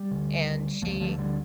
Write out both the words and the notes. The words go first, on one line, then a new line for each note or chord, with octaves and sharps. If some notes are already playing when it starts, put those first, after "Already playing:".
and she
Already playing: G3
D2 D3
D2 D3 F3 A3
F3 A3
D3 G3